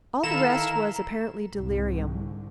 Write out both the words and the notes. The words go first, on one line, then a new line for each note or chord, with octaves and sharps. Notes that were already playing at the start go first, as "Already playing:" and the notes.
All the rest was apparently delirium.
D#3 E4 A4 F5 A#5 E7
C2 G#2 D3